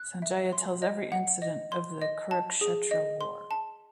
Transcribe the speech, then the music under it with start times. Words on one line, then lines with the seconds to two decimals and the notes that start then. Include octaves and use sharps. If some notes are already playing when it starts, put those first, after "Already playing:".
Sanjaya tells every incident of the Kurukshetra war.
Already playing: F#6
0.22 E5
0.52 C6
0.82 D#5
1.12 F#5
1.42 D#5
1.72 C6
2.02 D#5
2.31 A5
2.61 G#4
2.91 D#5
3.21 C6
3.51 A5